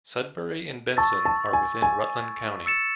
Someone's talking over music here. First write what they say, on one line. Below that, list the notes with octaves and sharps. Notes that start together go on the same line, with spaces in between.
Sudbury and Benson are within Rutland County.
A5 C#6 E6 A6
A5
G#5
G#5
E6 A6 C#7 E7